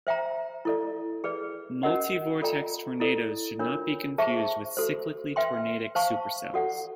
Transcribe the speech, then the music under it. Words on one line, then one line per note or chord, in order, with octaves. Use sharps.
Multivortex tornadoes should not be confused with cyclically tornadic supercells.
C5 E5 G5 A#5
E4 A4 D5
G#4 B4 D5
C#4 F#4 A#4 D#5 F#5
F4 A4 D5 G5 A#5
E4 A4 D5
D4 F4 A#4 C#5
G#4 C5 E5 A5 C#6
F#4 A4 C5
B4 E5 G5 C6
C5 F5 A5 C#6
F#4 A4 D5 F#5